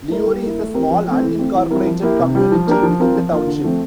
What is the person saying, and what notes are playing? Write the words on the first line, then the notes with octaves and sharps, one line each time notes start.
Leroy is a small unincorporated community within the township.
A3 E4 A#4
G3
A#3 E4
A3
C4 G4 A#4
F3
A3 C4
E3
A3 C4
E3
G3 C4 E4 A#4
F3
A#3 E4 G4
C3
G3 D4 G4
F3
A#3 D4 G4 A#4
F3
C4 F4 A#4
F3
A#3 F4
D3
F3 A3 C4